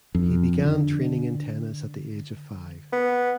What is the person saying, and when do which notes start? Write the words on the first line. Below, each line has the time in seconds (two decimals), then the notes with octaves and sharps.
He began training in tennis at the age of five.
0.15 F2
0.65 D3
2.93 B3